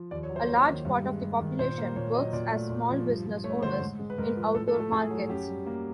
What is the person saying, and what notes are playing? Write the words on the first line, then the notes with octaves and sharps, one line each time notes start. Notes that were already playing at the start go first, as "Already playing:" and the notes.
A large part of the population works as small business owners in outdoor markets.
Already playing: F3
D#2 D5
C#5
F#3
C5
A#3 C#5
D#3
G2
G#3
G2
D#3
A#2 C5
A#3
A#2 C#5
F#3 D#5
A#2 D5
A3
A#2
F3
G2
F3
A3 C#5
D3 C5
G#2
G#3
B4
G#2 A#4
F3
A2 A4
A4
A3
A4
A2 G#4
F#3
F#2 G4
G3
A#3